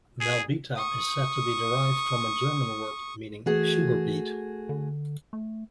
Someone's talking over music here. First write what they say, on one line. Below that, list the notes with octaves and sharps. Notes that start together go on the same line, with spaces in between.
Melbeta is said to be derived from a German word meaning "sugar beet".
G#4
C#6 D#6
E3 A3 F#4 G#4
D3
A3